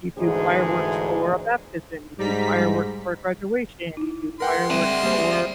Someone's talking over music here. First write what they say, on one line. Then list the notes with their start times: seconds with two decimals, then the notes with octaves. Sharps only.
you do fireworks for a baptism, you do fireworks for a graduation, you do fireworks for,
0.18 D2 G#2 E3 D4 G#4 C5
2.18 G#2 G3 A#5 B6
3.97 D#4 E4
4.40 G#3 A#4 B4 F#5 G5 C6
4.70 G3 C4 D5 E5
5.03 G3 A#3 C5